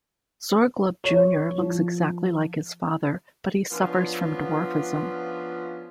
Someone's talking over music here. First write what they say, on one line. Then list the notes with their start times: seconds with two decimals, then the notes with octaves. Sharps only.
Zorglub junior looks exactly like his father, but he suffers from dwarfism.
1.04 C#5
1.58 F3
3.71 F3 B3 C#4 D4 F4